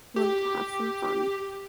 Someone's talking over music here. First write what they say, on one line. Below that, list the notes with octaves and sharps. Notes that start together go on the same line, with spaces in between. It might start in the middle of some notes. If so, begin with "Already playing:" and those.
Want to have some fun.
G4